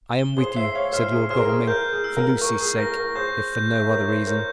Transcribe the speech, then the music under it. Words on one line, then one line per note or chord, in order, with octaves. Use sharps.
"I am with you," said Lord Godalming, "for Lucy's sake, if for no other reason."
G7
G#4 C5
C5 E5 C7
C#5 F5
C5 E5 F6
G#4
G#4 C5 F6
A#4
G#4
A#4 G6
G#4
E6
A#4
A#4 C#6
G#4
A#4 A#6
A#4
G#4 C5 G6
G6
E5
A#4 C#5 G6
C5 E5
A#4 C#5 G6